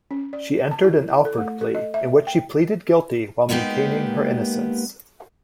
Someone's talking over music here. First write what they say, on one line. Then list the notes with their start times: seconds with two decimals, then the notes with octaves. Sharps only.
She entered an Alford plea, in which she pleaded guilty while maintaining her innocence.
0.11 C#4
0.33 D5
0.71 A5
0.84 E4
1.25 A4
1.38 A3
1.61 A4
1.75 D#5
1.94 E5
2.27 G5
3.49 G#3 A#3 B3 D#4 G4